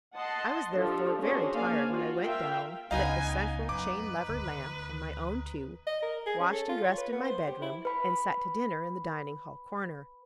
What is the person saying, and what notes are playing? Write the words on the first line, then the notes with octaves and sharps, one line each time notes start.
I was therefore very tired when I went down, lit the central chain-lever lamp and my own two, washed and dressed in my bedroom, and sat to dinner in the dining-hall corner.
D#5 F#5 A5 C6
F3 D4 G4 A4
C#4 D4 F#4 G#4 C5 C#5
A#3 D4 C5 D5 F5 G#5
F4 F#4
A#4 E5 F5 G5
C#2 B3 D4 D#4 D#5 F5 G#5
F#2 B4 D6
D2 D#3
D#5
A#4
G#4
C#4
A4
F4
C#5
B4
B3
C5
G4
E4
B4 B5